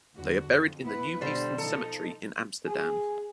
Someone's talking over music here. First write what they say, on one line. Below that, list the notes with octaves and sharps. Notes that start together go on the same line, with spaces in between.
They are buried in the New Eastern Cemetery in Amsterdam.
E2 D3 F#4
F2
B3 E4 B4
B2 D3 G3 C5
F3 D#4 A4
G#4 G#5